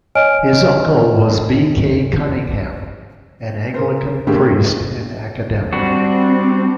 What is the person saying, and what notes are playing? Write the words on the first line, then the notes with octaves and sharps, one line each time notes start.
His uncle was B. K. Cunningham, an Anglican priest and academic.
C#5 D#5 G#5 F6 D7
A#4 C5
A2 D3 G#3 A#3 G4 G#4
G3 C4 D4 F#4